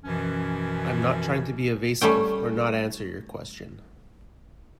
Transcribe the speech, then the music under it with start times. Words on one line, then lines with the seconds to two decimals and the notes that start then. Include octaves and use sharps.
I'm not trying to be evasive or not answer your question.
0.04 F#2 B2 E3 F3 C#4
2.01 G3 A3 C#4 G5